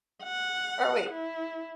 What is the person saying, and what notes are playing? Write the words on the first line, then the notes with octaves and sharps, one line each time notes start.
Or, wait,
F#5
E4